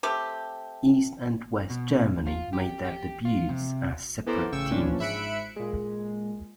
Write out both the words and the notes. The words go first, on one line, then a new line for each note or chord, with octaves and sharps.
East and West Germany made their debuts as separate teams.
A3 C4 G4
B2
F4
G4
G4
F4
C3
E3 B3 A4 A#4 C5 D5
A1 C#3 G5 C#6 E6
A#2 E3 F3 C#4 D4
G#2 E5 B5 F#6 C#7 D7
A#2 G#3